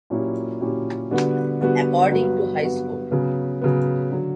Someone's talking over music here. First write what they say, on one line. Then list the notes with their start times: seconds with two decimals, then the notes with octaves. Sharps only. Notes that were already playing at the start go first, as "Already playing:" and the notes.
According to High Score!
0.10 A#2 F#3 C#4 E4 G4
0.61 A#2 F#3 C#4 E4 G4
1.11 D3 G3 B3 F#4
1.61 D3 G3 B3 F#4
2.11 G2 F#3 B3 F#4
2.61 G2 F#3 B3 F#4
3.11 C#3 F#3 B3
3.62 C#3 F#3 B3
4.11 D3 F#3